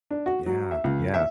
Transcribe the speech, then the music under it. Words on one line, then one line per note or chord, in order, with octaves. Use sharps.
yeah, yeah.
D4
F#4
F#3
E5
C#2
E5